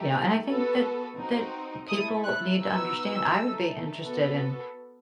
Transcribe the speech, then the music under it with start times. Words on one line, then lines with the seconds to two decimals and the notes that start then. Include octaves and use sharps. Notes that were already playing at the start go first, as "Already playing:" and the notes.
you know and I think that that people need to understand, I would be interested in
Already playing: A3 D#4 G4
0.44 B3 F#4 A4
1.16 C4 D#4 F#4
1.88 A3 E4 A4 D#6
2.24 F#6
2.60 B3 D#4 F#4 E6
3.32 A3 D#4 A4
4.03 B3 F#4 A4